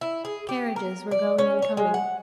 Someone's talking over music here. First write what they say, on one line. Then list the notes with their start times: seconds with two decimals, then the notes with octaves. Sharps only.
Carriages were going and coming.
0.01 E4
0.25 G#4
0.49 G4
0.76 A#4
1.11 D5
1.38 C#4
1.62 C#5
1.77 G#3
1.94 F#5